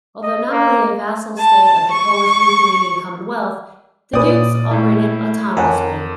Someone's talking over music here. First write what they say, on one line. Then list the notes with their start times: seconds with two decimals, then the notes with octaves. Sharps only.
Although nominally a vassal state of the Polish-Lithuanian Commonwealth, the dukes operated autonomously.
0.23 D#5
0.52 A#3
1.38 A5
1.91 C#6
4.13 A#2 B4 C#5 D5 G5 D#6
4.71 A2 E4
5.57 F2 A#4 C#5 F#5 G#5